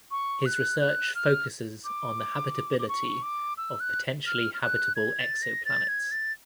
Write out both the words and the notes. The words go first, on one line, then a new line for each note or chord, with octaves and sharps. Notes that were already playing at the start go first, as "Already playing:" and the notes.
His research focuses on the habitability of potentially habitable exoplanets.
C#6
F#6
F#6
F6
D6
D6
C#6
D6
E6
F#6
F6
F6
F#6
G#6
A6
A#6
A6
G#6
A6